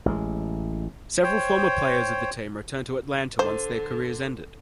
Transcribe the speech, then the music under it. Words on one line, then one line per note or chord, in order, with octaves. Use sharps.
Several former players of the team returned to Atlanta once their careers ended.
A1 G#3
C5 C#5 G5
D3 C5